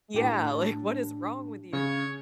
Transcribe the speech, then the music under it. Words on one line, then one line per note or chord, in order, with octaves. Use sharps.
Yeah, like, "What is wrong with you?"
A2 D4 G4 A5
C#3 C#5